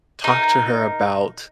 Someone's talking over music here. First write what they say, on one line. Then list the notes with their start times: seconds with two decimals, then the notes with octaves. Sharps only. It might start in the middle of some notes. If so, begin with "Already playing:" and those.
talk to her about
0.24 D#4 A#4